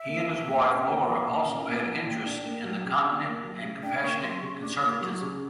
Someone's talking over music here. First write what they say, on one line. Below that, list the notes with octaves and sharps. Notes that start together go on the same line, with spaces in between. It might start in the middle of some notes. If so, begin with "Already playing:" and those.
He and his wife, Laura, also had interest in the continent and compassionate conservatism.
Already playing: E5
A#3
F3
A#2
C#4
A#3
F3
A#2
C#4 D#5
A#3 E5
F3 F#5
A#2 G5
D4
A#3
F#3
C#3
D4
A#3
F#3
C#3
D4 G5
A#3 C#6
F#3 C6
C#3 C#6
D4 D6
A#3 D6
F#3 C#6
C#3 D6